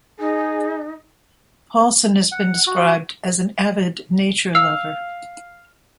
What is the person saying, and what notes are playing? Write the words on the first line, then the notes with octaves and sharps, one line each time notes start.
Paulson has been described as an avid nature lover.
D#4 G#4
F#5
F#4
F5 E6